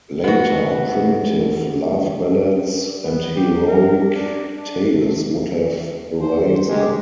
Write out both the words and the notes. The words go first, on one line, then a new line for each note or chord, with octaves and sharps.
Later, primitive love ballads and heroic tales would have arisen.
B3 F#4
B3
G4
A#4
D4
D4
A3
C5
G#3 G4 G#4